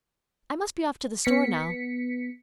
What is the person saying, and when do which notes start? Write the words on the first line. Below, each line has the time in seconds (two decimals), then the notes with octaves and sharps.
I must be off to the store now.
1.25 B3 B6 C#7